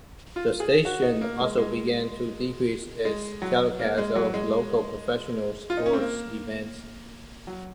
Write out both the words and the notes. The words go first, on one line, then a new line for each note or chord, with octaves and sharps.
The station also began to decrease its telecasts of local professional sports events.
F4
G#4
F#4
D#4
A#3
G#3
G#3
G#3
F#3
A#3
G#3
F#3
G#3
F4
D#4
C#4
C4
A#3
F#3